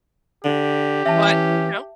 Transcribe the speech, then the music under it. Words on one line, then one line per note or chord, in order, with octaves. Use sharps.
but, you know,
D3 G4
E3 C#4 E5 A5